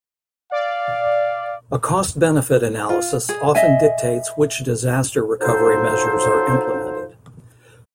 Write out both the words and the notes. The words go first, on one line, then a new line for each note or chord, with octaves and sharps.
A cost-benefit analysis often dictates which disaster recovery measures are implemented.
D5 F5
F4
G#4
D#5 E5 G#5
F3 F#3 D#4 A4 C5